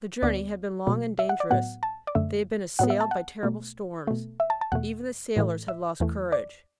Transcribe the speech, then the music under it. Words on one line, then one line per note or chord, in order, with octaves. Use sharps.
The journey had been long and dangerous; they had been assailed by terrible storms; even the sailors had lost courage.
D2 D3 B3 D5
B2 F#3 A3
E5
F#5
D5
A2 F#3 B3 F#5
A5
D5
F#2 D3 A3 E5
A2 F#3 B3 F#5
E5
A5
F#5
B2 A3
B2 A3
E5
A5
A5
E2 B2 A3 F#5
A2 E3 A3
E5
E2 E3 A3
D5